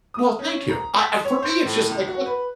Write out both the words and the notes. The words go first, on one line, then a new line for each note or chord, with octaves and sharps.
Well, thank you. I, uh, for me, it's just like, look
D#6
C#4
A#5
B6
C#5
C5
A2
C#2
F#4
B4